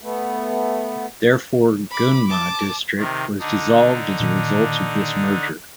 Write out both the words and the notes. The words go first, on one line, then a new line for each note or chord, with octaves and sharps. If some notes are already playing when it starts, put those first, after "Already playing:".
Therefore, Gunma District was dissolved as a result of this merger.
A3 B3
B5 D6
A5 D6
C3 D#3
D3 D4 D#4
A#2 D#3